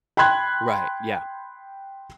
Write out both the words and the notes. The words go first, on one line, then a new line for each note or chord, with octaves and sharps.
Right, yeah.
G5 B5 C6 F#6 G#6